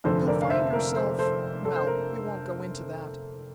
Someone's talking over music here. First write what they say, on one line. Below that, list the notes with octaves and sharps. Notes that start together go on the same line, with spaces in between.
You'll find yourself--well, we won't go into that.
F1 F2 D3 A4 C5
A#4 D5
F5
C5 E5
A#4
A4 C5
A4 C5
A4
C5
A#4